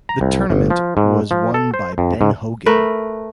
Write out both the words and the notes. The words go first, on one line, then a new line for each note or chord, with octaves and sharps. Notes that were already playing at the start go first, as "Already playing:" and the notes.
The tournament was won by Ben Hogan.
A#5
C2
G1
F3
G#2
F3
A4
C5
F2
G#2
A3 A#4 B4